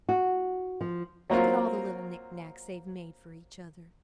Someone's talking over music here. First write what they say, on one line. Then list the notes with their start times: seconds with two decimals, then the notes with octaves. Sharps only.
Look at all the little knick-knacks they've made for each other.
0.09 F#4
0.81 F3
1.30 F#3 A#3 C4 F4